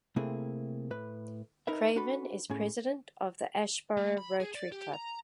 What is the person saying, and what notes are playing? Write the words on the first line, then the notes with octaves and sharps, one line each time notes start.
Craven is President of the Asheboro Rotary Club.
C3 A3 A#3 C4 E4 G#4
A2 B4
D#4 A#4 B4 E5
D4 F#4 A4 B4 B5
A2 C#4 G#4
A3
B5
G#4
D5
G4
A#5